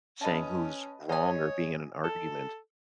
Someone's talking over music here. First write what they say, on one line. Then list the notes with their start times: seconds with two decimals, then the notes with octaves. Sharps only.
saying who's wrong or being in an argument.
0.21 C#4 B4 D#5 A5
1.09 C#5 D#5 G#5
2.04 A4